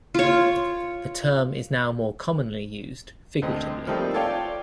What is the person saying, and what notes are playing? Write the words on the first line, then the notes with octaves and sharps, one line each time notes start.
The term is now more commonly used figuratively.
F4 C#5
D2 C4 D#5
F3 G3 A3 A#3 C4 D#4
F4 A4 C#5 D5 F5 G5